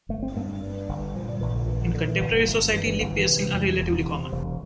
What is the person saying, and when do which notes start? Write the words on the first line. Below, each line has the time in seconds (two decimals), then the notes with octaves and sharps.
In contemporary society, lip piercings are relatively common.
0.09 G1 A3
0.23 C4
0.36 G2 A#3
0.62 G2
0.89 G1
1.16 A#2 F3
1.29 G3
1.41 A#1 E3
1.55 D3
1.67 A#2 E3
1.81 D3
1.95 A#2 D3
2.07 E3
2.20 G1
2.47 G1
2.73 G2 E3
2.87 E3
3.00 G1 E3
3.13 E3
3.27 C3
3.53 E2
3.80 E1
4.06 C3
4.32 E1 F3